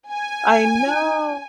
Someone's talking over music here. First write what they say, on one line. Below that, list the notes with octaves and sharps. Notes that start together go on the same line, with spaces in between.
I know,
G#5